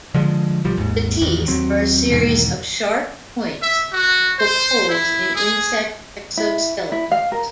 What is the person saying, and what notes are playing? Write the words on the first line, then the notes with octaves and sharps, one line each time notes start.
The teeth are a series of sharp points to poke holes in insect exoskeletons.
D3 F3 G#3
B1 F3 G3
G#1 D#2 G#2
A1 E2 D#3 E3
D#2 F#3 C4
B1 E2 G#2 D#3
E5
F#4
C5
E4
G#4
E4
E4
F5
A#4